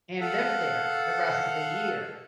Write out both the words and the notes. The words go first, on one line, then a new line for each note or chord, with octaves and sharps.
and live there the rest of the year.
A4 F5 F#5